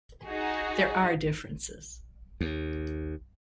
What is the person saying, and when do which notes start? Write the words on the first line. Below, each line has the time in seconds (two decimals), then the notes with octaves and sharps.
There are differences.
0.24 D#4 F#4 G#4
2.41 D#2